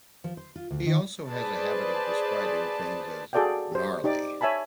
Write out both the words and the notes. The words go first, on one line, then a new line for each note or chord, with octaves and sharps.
He also has a habit of describing things as "gnarly".
F3
C5
F4
D2
D#3
G#4 B4 C5 D5 A5
F#4 G#4 A4 D5 F5 G5
G4 C5
D#4 G4 D5 D6
C#5 E5 G#5 A5 B5